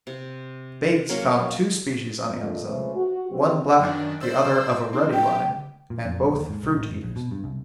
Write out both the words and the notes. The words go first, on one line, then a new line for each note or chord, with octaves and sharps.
Bates found two species on the Amazon--one black, the other of a ruddy line, and both fruit-eaters.
C3
F#3 A#3 C#4 C#5
F2 A#2 A3
G#3 A3 C#4 F4 B4 C5
F#4
B3 C4 G4
F#2 D#3 D4
C5 D5 E6
C4 D#4
G4 G5
A#2
F2
B1
D#2
G#2
C2
A1
F#1
A#1
B2
G2
C2